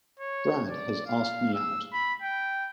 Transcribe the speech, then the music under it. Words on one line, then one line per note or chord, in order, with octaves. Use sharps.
Brad has asked me out.
C#5
D5
F5
E6
B5
G5